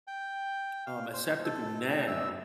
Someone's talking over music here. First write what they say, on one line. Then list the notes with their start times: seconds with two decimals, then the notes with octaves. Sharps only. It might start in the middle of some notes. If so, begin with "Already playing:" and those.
um, acceptable now
0.07 G5
0.86 F5
1.13 C5
1.45 A4
1.89 G5
2.07 E5